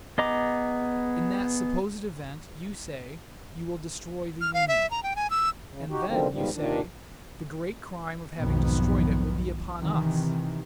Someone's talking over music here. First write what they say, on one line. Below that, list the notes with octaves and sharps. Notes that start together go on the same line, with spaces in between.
In that supposed event, you say, you will destroy the Union; and then, you say, the great crime of having destroyed it will be upon us!
B3 G#4 D#5 A#5 D6
F6
F5
E5
A#5
G5
G#5
E6
C#3
D#4 F#4 G4
B2 D3 D#3 F3 G3 C4
G#2 B2 D#3 F3 G3
D#2 A#2 D#3 D4
B1 F2 G#2 D#3 F3 B3
C3 D#3 E3